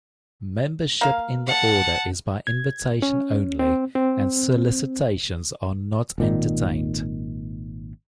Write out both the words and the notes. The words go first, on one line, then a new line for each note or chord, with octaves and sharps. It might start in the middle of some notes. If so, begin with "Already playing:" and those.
Membership in the Order is by invitation only and solicitations are not entertained.
A#3 F5
F#5 A5
G#6
C#4
C4
C4
G#1 A#2 D#3